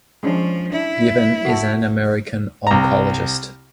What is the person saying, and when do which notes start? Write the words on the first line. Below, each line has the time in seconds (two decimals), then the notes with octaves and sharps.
Given is an American oncologist.
0.23 F3 G#3 C#4 D4
0.72 D4 E4
1.45 F#4 A4
2.67 C2 A#5